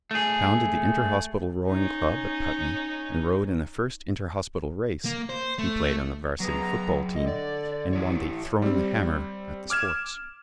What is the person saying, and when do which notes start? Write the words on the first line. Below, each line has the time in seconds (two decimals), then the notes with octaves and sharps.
He founded the inter-hospital rowing club at Putney and rowed in the first inter-hospital race; he played on the Varsity football team, and won the "throwing the hammer" at the sports.
0.11 A3 G#4
1.69 C#4 D#4
5.05 A#3
5.29 C5
5.59 A3
6.40 F#3 B3 G#4 A#5
7.16 D3 D#5
7.28 D5
7.93 E3 E4 C#5
8.62 G3 C4
9.70 D6 F6 G#6 E7